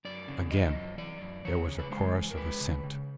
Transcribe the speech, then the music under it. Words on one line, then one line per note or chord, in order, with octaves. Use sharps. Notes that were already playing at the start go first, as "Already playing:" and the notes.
Again there was a chorus of assent.
F#2 D5
C#3
E3 D#5
F#2
E3 D5
F#2
E3 C#5
C#3
B4
G#3 C5
E3
A#4
G#3 B4
C#3
C#3